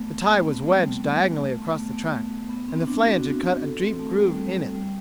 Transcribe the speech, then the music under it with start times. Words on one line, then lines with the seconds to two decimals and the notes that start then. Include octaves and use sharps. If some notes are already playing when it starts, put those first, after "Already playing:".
The tie was wedged diagonally across the track, and the flange had cut a deep groove in it.
Already playing: A3 B3
0.24 A3
0.38 C4
0.52 B3
0.66 G3
0.80 A3
1.37 A3
1.51 A3
1.65 B3
1.79 A3
1.93 A3
2.49 B3
2.68 C4
2.87 D4
3.06 F#4
3.62 A4
3.81 C4
3.99 A3
4.19 G3
4.75 G3